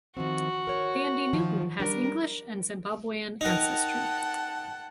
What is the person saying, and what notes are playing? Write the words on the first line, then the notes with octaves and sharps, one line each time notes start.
Thandie Newton has English and Zimbabwean ancestry.
D#3 F3 C4 F#4
A#4 C#5
D#3 F3
G3 D4 A#4
D#4 A#4 F#5 G5 A5